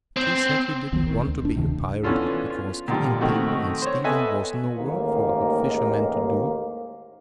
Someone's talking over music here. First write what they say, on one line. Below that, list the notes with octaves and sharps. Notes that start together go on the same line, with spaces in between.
But he said he didn't want to be a pirate, because killing people and stealing was no work for a good fisherman to do.
C4
E1 C#2 D#3 B3
D#3
D2
D1 D4
D2 C3 D#3 D4
E3 B3 C#4 D4 F4 A4
F4
A#2 D3 D#3 F3 G3
D#3 A3 C4 F#4
C5 C#5
B3 A4 B4 D#5 E5 G#5
A1 D#2 G#2 D#3 A#3